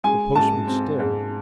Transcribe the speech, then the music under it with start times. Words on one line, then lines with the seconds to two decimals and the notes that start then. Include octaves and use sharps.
The postman stared.
0.04 G#3 G#5
0.35 G#2 A5
0.67 C4
0.99 G#2